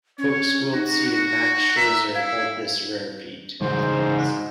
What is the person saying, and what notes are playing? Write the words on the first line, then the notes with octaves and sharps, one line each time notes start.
Hooks Wiltse and Max Scherzer hold this rare feat.
C#4 C#5
D#4 F#4
F#4
E5 A#5
E4 F5
G#2 C#3 E3 G#3 D#4 F#4 C5